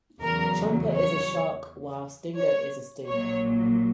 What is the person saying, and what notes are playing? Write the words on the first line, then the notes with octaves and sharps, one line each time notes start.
Chomper is a shark while Stingo is a stingray.
E2 C#3 F#3 A#4
C#5
C#5
A#1 A#2 F#3 C#5